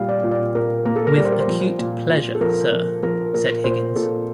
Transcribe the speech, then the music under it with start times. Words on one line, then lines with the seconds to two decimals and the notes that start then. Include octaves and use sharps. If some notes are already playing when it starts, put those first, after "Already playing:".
"With acute pleasure, sir," said Higgins.
Already playing: A#2 G3 F5
0.09 D5
0.23 A#2
0.31 D5
0.55 A#2 A#4
0.85 A#3 A#4
0.96 A4
1.07 A#4
1.16 G3 D5
1.25 C5
1.32 A#4
1.40 C5
1.48 F3
1.79 A#2
2.09 A#2
2.35 A4
2.41 F3 A#4
2.72 F3
3.03 F3 A#4
3.34 A#2 A#4
3.64 A#2 C5
3.96 A#2 A4